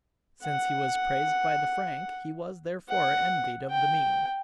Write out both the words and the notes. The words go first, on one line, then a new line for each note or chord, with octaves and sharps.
Since he was praised by the frank, he was therefore envied of the mean.
F#5
F#5
G5